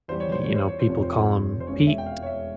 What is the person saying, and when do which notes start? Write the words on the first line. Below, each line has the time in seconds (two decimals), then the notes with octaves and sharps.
you know, people call 'em peaks,
0.08 E2 E3 G3 C5
0.20 C#5
0.32 C5
0.44 C#5
0.56 C5
0.68 C#5
0.80 C5
0.87 F1 F2 C3 C#5
1.03 C5
1.60 C5
1.67 E1 E2 E3 G#3 C#4 C#5
1.87 E5
1.98 G5
2.06 F5
2.22 C#5
2.26 E5